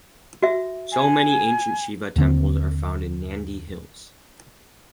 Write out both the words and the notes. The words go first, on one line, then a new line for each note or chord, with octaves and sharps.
So many ancient Shiva temples are found in Nandhi Hills.
F#4 E5
G#5
D#2 D3 C4